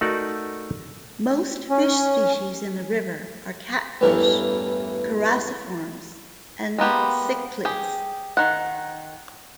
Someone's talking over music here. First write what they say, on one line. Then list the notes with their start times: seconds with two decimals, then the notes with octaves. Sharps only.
Most fish species in the river are catfish, characiforms and cichlids.
0.01 A3 D#4 F#4 A#4 D5 F#5
1.70 C#4
4.01 A1 E2 G2 E3 A3 A#4
6.78 G#3 A#3 B3 G4
7.65 G4 G#4
8.37 D#3 F#5